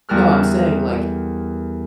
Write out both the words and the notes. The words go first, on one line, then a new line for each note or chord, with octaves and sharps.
No, I'm saying, like,
E2 G3 A4 A#4 F6 F#6